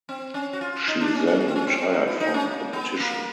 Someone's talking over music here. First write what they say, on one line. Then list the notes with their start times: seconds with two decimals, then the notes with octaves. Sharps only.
She then retired from competition.
0.09 C4
0.34 C#4
0.53 F#4
0.61 F4
0.88 D#4
1.01 D4
1.15 C#4
1.28 C#4
1.41 C#4
1.48 C4
1.56 C#4
1.67 C4
1.94 D#4
2.08 E4
2.20 D#4
2.34 C#4
2.47 A#3
2.73 B3
3.00 A#3